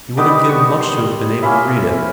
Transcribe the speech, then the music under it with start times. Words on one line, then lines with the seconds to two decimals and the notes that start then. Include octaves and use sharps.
He would have given much to have been able to read it.
0.17 G3 B3 D#4 D6
0.49 C#6
0.81 C6
1.42 A#3 C#4 E4 B5
1.53 C6
1.62 B5